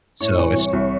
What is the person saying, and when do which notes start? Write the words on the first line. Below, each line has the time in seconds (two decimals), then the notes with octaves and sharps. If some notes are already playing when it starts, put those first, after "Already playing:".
so it's
0.21 A2 C#5
0.38 E3
0.56 C2
0.73 C2